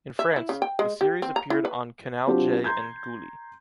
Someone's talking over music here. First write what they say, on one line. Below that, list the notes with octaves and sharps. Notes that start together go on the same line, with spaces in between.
In France, the series appeared on Canal J and Gulli.
E5
E4
C#3
G5
G#3
G4
C4
A#5
E4
B4
F#3 C4 D4 F4 G4
A#5 C6 G6 G#6